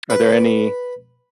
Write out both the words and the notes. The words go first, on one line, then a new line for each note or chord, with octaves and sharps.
Are there any
B4